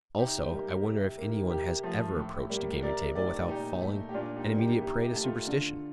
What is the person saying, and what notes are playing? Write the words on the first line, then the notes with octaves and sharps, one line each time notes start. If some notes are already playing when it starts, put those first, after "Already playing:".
Also, I wonder if any one has EVER approached a gaming-table without falling an immediate prey to superstition?
C3 D#4 G4
G3 A#3
C3
D#3 A#3
C3 G4 A#4
F3 A3
A2
G3 A#3
C3 A#4 D5
D#3 A3 A#4 D5
A#2 D#4 G4
A3
G4
A#2 D4 F4
D#4 G4
G3 A#3
D#4 G4
C3 D#4 G4
D#4 G4
D#3 A3
F4 A4
D3